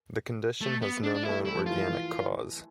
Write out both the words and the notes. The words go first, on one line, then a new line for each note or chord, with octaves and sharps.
The condition has no known organic cause.
A3
B3
D4
D4
E4
A3
G3
E4
F3
E3 F4
E3